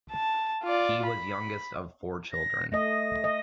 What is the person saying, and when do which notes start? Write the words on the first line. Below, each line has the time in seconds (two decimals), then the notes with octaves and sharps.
He was youngest of four children.
0.12 A5
0.63 F4 D5
1.06 B5
2.32 A#6
2.72 A3 D#5 A#6
3.24 D#5